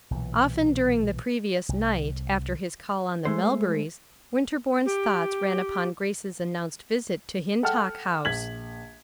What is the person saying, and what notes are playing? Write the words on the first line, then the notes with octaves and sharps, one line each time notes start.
Often during the previous night, after his call on the Melburys, Winterborne's thoughts ran upon Grace's announced visit to Hintock House.
B1 A#2 E3
C2
G#3 A3 C5
G4
A4 F#5 G5 A5 F6
A#1 G#6 B6 F#7